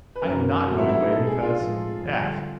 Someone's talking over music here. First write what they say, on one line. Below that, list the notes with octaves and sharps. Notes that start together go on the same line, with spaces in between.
I am not going away because ... ech!
B4
F#2 D#3 F#3 A#3 C#4 A#4
C3 D#3 F#3 A3 C4 F#4
E4
E4
D#4
B2 G#3 C4 A4
G#4
F4
A2 F3 G#3
F2 D3 G3